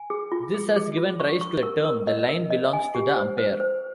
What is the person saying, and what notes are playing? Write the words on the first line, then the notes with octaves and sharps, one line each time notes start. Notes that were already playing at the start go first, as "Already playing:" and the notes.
This has given rise to the term the line belongs to the umpire.
Already playing: G#5
G#4
F4
G#4
G#4
F4
C#6
C#6
A#4
A#4
D#5
A#4
D#5
G#5
G4
C5
C5
C5